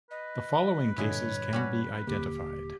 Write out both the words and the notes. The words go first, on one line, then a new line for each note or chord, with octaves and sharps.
The following cases can be identified.
B4 D#5
G2 A#2 D3 G#3 E4 C#5
G3 C#4 F#4
D#1 D3 A#3 G4